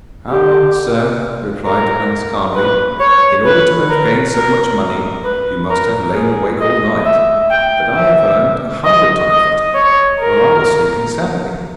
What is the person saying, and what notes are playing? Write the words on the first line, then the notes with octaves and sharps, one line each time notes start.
'Ah, sir,' replied Hans calmly, 'in order to have gained so much money you must have lain awake all night, but I have earned a hundred times that amount while I was sleeping soundly.'
G4
A#4
B4
C#5
B4
A#4
A#4
B4
A#4
G#4
D#5
E5
G5
E5
D#5
D#5
C#5
A#4